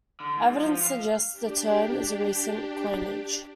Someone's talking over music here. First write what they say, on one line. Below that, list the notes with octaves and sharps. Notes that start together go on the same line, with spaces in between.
Evidence suggests the term is a recent coinage.
D3
G#2
F3
F5
D4 G4